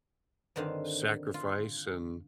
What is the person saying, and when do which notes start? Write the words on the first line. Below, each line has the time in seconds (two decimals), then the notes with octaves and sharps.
sacrifice and
0.56 G2 D3 D#3 C4 F5
1.34 F4